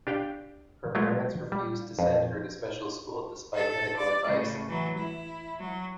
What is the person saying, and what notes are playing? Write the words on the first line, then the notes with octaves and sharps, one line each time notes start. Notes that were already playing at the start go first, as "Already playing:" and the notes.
Her parents refused to send her to special school despite medical advice.
D4 G4 F5 G5
F#3 G#3 A3 B3 E4 F4
G3
F2
A4
D5
A2 C#3
E3 F#3
E4
F#3